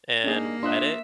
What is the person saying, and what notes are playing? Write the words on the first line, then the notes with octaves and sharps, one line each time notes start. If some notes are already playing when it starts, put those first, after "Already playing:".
and wet it,
A#3 D4 D#4 G#4
D4 F4 E5 C6 D#6 F#6